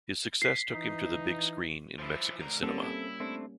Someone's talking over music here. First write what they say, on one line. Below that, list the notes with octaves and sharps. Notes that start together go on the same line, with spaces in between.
His success took him to the big screen in Mexican Cinema.
B6 C7
E3 D#4
F3 E4
D2 A#4
D3 G3 A#3 C4 C#4 A4
E4
A3 C4 D4